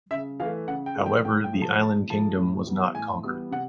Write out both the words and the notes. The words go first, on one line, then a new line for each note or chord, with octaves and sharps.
However, the island kingdom was not conquered.
C#3 E5
E3 A3 F5
C#3 F#5
G5
E3 A3
G5
A2 G5
G5
F3 A3
A5
A2 A5
F3 A3 A5
A2
E3 G3 B3
A2 G#5
E3 G3 B3
C3 F#5